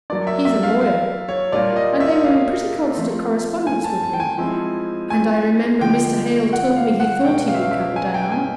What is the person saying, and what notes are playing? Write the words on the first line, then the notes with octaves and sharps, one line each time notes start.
He's a lawyer, and they were in pretty constant correspondence with him; and I remember Mr. Hale told me he thought he would come down.
F#3 A#3 D4 D5
E5
E5
F5
F5
C#5
A#2 G3 A#3 D4 F4 D5
D#5
E5
F5
F3 A3 C4
G#5
A5
A5
G5
G#5
F3 G#3 C4 E4
G#5
D3 F3 G#3 G5
F#5
F5
F#5
B2 G#3 C#4 G5
F5
E5
F5
E5
G#5
G5
G#5